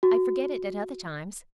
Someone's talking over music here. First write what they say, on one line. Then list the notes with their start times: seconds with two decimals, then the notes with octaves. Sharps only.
I forget it at other times.
0.03 F#4